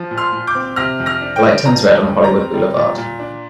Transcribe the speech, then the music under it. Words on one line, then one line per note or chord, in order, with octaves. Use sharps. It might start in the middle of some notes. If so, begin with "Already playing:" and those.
A light turns red on Hollywood Boulevard.
Already playing: F3
A#2
C6 F6
A#2
D6 G6
C4
C3 F6 A#6
F2
F6 A#6
D4
G5
G3
F3 A#5
F2
F2
A#5
C4
G3
A#2
A#2
D4